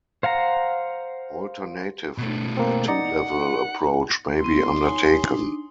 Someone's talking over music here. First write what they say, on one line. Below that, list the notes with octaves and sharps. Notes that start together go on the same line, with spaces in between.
Alternatively, a "two-level" approach may be undertaken.
C5 F5 F#5 A#5
B2 A3
A#3 C4
D#4 D5 F#5 A#5
B3 E4 C6
D#4 C#5 G#5
D4 D#4